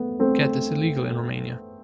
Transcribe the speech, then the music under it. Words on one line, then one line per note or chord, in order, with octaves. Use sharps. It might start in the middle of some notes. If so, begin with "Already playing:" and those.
Khat is illegal in Romania.
Already playing: A3 B3
A3 C4